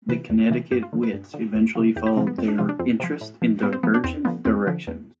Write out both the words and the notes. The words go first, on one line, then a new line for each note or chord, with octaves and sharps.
The Connecticut Wits eventually followed their interests in divergent directions.
C3 E3 B4
E2
C3 E3
G2 G4
F4
D3 F3
B4
G2
D3 F3
E2
C3 F3
E2 G4
G4
C3 F3 C4
B3
F2 C4
D4
C3 F3 F4
D4
F2 C4
C3 F3
A2
F3
A2 B3
C4
F3 B3
D4
E2 C4
D3 F3 B3
E2 C4
D3 F3
E2